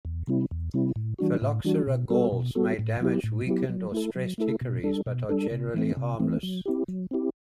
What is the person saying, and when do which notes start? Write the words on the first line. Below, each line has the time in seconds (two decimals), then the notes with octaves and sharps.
"Phylloxera" galls may damage weakened or stressed hickories, but are generally harmless.
0.05 E2
0.27 C3 G3 C4 E4
0.51 E2
0.74 C3 G3 C4 E4
0.96 A2
1.19 E3 G3 D4 F#4
1.42 A2
1.64 E3 G3 D4 F#4
1.87 B2
2.10 G3 B3 F#4 A4
2.32 B2
2.55 G3 B3 F#4 A4
2.79 A2
3.01 F#3 B3 E4 G4
3.24 A2
3.46 F#3 B3 E4 G4
3.69 F#3
3.92 A3 E4 A4
4.15 F#3
4.38 A3 E4 A4
4.61 B2
4.83 G3 D4 A4
5.06 B2
5.29 G3 D4 A4
5.51 C3
5.74 E3 A3 C4
5.97 C3
6.20 E3 A3 C4
6.43 F#3
6.66 C4 E4 G4
6.88 F#3
7.11 C4 E4 G4